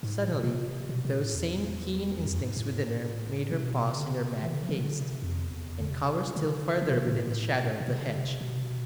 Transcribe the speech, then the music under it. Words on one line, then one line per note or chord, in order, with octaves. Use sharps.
Suddenly, those same keen instincts within her made her pause in her mad haste, and cower still further within the shadow of the hedge.
G#2
A2
B2
C3
B2
B2
A2
E2
F2
G#2
A2
C3
B2
C3
D3
C3
E3
D3
F3
E3
C3
D3
C3
F2
E2
D3
C3
D3
E3
B2
C3
B2
A2
A2
B2
B2
C3
D3
C3
B2
C3
B2